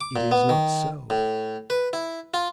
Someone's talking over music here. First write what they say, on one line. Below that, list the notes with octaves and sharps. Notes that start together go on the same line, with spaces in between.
It is not so.
D6
A#2
B3
D#3
A2
B4
E4
F4